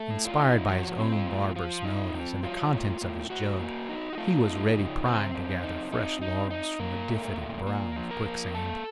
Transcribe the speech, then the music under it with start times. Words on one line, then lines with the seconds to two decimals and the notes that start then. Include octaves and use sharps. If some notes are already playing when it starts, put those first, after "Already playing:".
Inspired by his own barbarous melodies and the contents of his jug, he was ready primed to gather fresh laurels from the diffident brow of Quicksand.
Already playing: A3 A4
0.11 A2
0.25 F4
0.39 D#4
0.68 F3 F#4
0.98 C4
1.12 F4
1.27 A2
1.56 F3 F4
1.85 D#4
2.14 C4
2.43 F#3 F4
2.72 A2
3.01 A2
3.30 A2 F#4
3.60 A#3
3.89 D#4
4.13 F#4
4.17 A3 F4
4.47 D#4
4.76 C#3
5.05 C#3 C4 C5
5.34 F#2
5.63 D#4
5.92 D#4
6.21 D#4
6.51 D#4
6.79 A#2 A#3 A#4
7.09 A3
7.38 A#2
7.67 A#3
7.96 F3
8.11 A#4 A#5
8.25 A#3
8.54 A#3 A4 A5